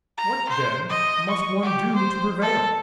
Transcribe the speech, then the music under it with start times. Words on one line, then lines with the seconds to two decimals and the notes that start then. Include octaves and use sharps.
"What, then, must one do, to prevail?"
0.18 A#5
0.49 C5
0.90 D#5
1.30 C#6
1.63 G4
1.96 C5
2.42 A4